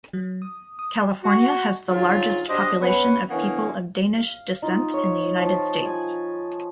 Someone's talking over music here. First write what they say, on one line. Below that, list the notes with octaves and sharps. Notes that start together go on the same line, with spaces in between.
California has the largest population of people of Danish descent in the United States.
F#3
D#6
D#6
F#4
G#2 D3 F#3 F4
D4 F#4 G4 C5 D#5
B3 C#4 B4
D3 E3 A#3 B3 C#4
F5
D#4 F4 D#5
C#5
F3
G#5